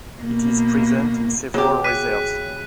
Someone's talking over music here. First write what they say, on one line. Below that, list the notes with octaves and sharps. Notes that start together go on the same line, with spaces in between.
It is present in several reserves.
B2 A#3
C#3 F#3 B3 G4
F#6 B6 D#7